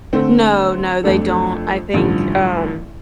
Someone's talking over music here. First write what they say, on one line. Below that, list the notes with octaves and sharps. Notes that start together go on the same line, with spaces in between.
No, no, they don't. I think, um,
D3 A3 C4
F2 F3 A3 D4 A4
A1 G2 D3 F3